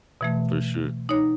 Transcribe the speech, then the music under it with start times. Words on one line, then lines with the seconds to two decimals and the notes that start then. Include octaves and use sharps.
For sure.
0.21 B2 E3 A3
1.09 D#4 C#5